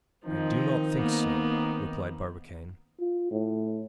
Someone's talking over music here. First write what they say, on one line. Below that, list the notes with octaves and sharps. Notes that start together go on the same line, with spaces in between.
"I do not think so," replied Barbicane.
D#3 F3 C4 D#4
A#3 B3
F4
A2